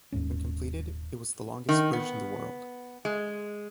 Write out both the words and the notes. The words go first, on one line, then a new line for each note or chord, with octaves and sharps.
When completed, it was the longest bridge in the world.
D#1 D#2 G#2 C#4
D#3
B3
G#3